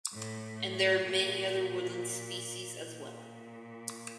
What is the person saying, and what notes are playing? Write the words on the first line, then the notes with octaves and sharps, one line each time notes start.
And there are many other woodland species as well.
A2
A#2
A#2